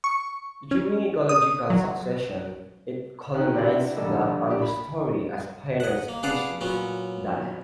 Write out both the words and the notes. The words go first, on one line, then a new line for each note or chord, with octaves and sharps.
During ecological succession, it colonizes the understory as pioneer species die.
C#6
C#4
D#6
F#3
D#3 C#4 F#6
C3 C4 D4 E4 F#4 G4
A#1 D3 G3 A4 D#5
D4 G4
B5
D#5 F#5
A#3
G#4 B4 D5 F5 F#5 A5
A#2 F#3 B3 C#4